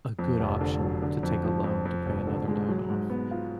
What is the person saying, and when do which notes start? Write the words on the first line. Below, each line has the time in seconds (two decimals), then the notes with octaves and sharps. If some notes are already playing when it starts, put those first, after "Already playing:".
a good option to take a loan, to pay another loan off.
0.19 F2
0.40 F1
0.61 D3
0.81 F#3
1.02 D3
1.23 F2
1.44 F3
1.64 F2
1.85 F2
2.06 F1
2.27 D3
2.48 G#3
2.69 F#3
2.90 G#2
3.10 B3
3.31 F4